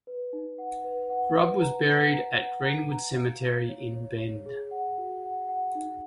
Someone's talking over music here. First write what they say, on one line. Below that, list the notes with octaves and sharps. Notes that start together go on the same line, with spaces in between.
Grubb was buried at Greenwood Cemetery in Bend.
B4
D#4
F#5
B4
F#5
B4
A#5
F#5
A#5
F#5
A#5
A#5
F5
F5
C#5
C#5
C#5
G#4
F#5
F#4
F#5
F#5
D#4